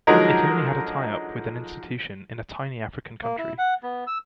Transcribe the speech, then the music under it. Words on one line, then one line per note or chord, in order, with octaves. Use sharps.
It only had a tie-up with an institution in a tiny African country.
D3 F3 F#3 G#3 D#4 A#4
A#3
E4
F#5
B3
E6